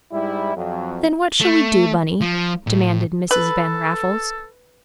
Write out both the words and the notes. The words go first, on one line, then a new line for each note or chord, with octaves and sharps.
"Then what shall we do, Bunny?" demanded Mrs. Van Raffles.
G#2 G3 E4
F2 F#3
A3
F3
A2
A4 B4